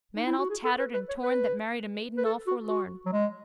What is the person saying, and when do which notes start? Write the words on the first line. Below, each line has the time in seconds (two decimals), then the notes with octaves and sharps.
Man all tattered and torn that married a maiden all forlorn.
0.16 D#4
0.27 E4
0.39 F#4
0.50 G#4
0.65 A4
0.79 B4
0.94 B4
1.09 C#5
1.23 B4
2.17 B4
2.25 A4
2.47 F#4
2.69 F#4
3.06 F#3
3.13 G#3